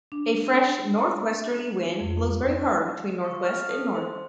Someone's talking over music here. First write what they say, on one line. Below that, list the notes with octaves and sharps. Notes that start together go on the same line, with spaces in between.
A fresh northwesterly wind blows very hard between northwest and north.
D4
A#5
F2
C#6
F6
A4
C5